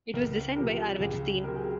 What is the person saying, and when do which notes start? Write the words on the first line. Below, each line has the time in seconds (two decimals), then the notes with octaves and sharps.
It was designed by Arvid Steen.
0.14 C#2 A#4
0.56 C3 F3 A#4
1.00 C#2 G#4
1.43 C3 F#3 C4 A#4
1.56 G#4